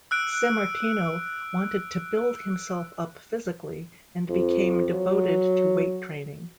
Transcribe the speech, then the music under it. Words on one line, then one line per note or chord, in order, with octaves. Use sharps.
Sammartino wanted to build himself up physically and became devoted to weight training.
E6 F#6 D7
F2
F#3